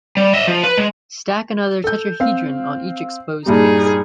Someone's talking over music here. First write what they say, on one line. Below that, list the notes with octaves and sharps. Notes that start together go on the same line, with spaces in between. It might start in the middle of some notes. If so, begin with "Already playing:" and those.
Stack another tetrahedron on each exposed face.
G3
D#5 E5
F3
B4
G#3
A4 G6
C4 F5
G2 A#2 G3 D#4 G#4